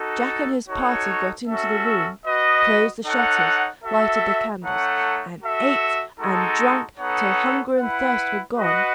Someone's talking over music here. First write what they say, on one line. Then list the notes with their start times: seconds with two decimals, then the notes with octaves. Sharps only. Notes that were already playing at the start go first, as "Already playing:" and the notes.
Jack and his party got into the room, closed the shutters, lighted the candles, and ate and drank till hunger and thirst were gone.
Already playing: D#4 F#4 A4
0.67 D#4 F#4 A4 C#5
1.46 C#4 F#4 A4 E5
2.25 F#4 B4 D#5
3.04 D#4 A4 C#5 F#5
3.83 F#4 A4 E5
4.62 A3 D#4 A4 C#5 F#5
5.40 F#4 A4 E5
6.19 G#3 D#4 F#4 A4
6.98 B3 D#4 A4 C#5 F#5
7.77 E4 B4 F#5
8.55 F#4 B4 D#5 F#5